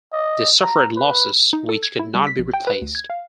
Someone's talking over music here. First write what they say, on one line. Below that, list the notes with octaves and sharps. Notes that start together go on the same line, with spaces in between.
They suffered losses which could not be replaced.
D#5
A#5
B4
D#4
A4
G#6
E4
G3
B6
A#1
G5
B4
D2
G#6
F5